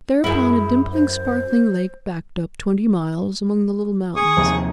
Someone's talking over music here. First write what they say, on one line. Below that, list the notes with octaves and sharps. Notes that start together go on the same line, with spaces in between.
Thereupon, a dimpling, sparkling lake backed up twenty miles among the little mountains.
F#2 E4 G#4
C5
G#4 C#6 D#6
D#2 C3 F3